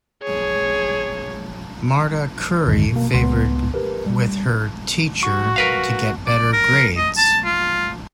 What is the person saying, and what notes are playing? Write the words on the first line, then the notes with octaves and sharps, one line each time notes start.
Marta curry favored with her teacher to get better grades.
G#4 C#5
C#2 F#2 D3 D#3 G#3
B2 A#3
C#2 B3 C6
G4 A#4 B4
G3
F#4 C#6
A#4 B4 F5
D5
A#4
D#5
A5
F4